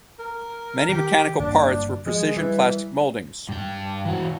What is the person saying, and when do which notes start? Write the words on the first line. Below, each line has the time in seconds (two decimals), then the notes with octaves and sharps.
Many mechanical parts were precision plastic moldings.
0.19 A#4
0.89 D#3 G4
1.39 G1 A#3 D4
2.06 F3 G#3
2.36 E3 G3
3.49 G2 G5
4.05 E3 F#4